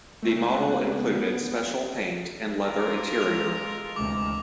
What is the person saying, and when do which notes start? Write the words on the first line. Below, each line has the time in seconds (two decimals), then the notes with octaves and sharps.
The model included special paint and leather interior.
0.23 C#2 G#2 A3 F#6
0.59 B3
2.61 F4 A4 A#4
3.21 G#3 F7
3.96 D2 C3 E3 G#3 D6